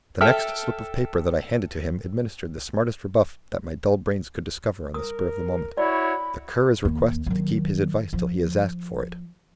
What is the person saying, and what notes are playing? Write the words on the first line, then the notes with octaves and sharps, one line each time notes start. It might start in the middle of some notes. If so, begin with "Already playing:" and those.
The next slip of paper that I handed to him administered the smartest rebuff that my dull brains could discover on the spur of the moment: "The Cur is requested to keep his advice till he is asked for it."
A4 E5 G5 A5 F6
A#4 D#6
E4 F#4 C#5 D5 B5
D#2
D#3 F#3
F3